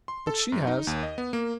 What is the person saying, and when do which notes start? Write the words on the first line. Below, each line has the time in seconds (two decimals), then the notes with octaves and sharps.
But she has.
0.08 C6
0.27 A4
0.52 F#2
0.67 D#4
0.87 D#2
1.03 D#5
1.18 B3
1.33 A#3